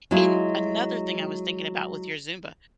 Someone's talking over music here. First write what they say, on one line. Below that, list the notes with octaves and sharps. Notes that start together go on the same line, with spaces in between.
and another thing I was thinking about with your Zumba:
F#3 G#3 E4 F4